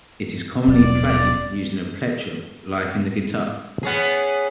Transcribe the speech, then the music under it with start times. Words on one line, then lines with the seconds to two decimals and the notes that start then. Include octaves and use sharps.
It is commonly played using a plectrum like in the guitar.
0.68 D#1 B2 F#3 D5
3.83 B3 C#4 G#4